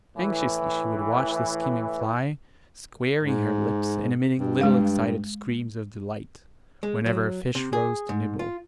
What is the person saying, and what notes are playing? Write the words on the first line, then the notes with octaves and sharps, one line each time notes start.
Anxiously she would watch the skimming fly, squaring her lips and emitting little excited screams of delight, whenever a fish rose to nibble.
A2 E3
G#2
G2
G#3 F5
G#3
F#3
C3
G#4
G#2
F4